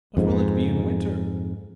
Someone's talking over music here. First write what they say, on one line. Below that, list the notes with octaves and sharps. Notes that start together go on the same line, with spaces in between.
"What will it be in winter?"
F2 G#2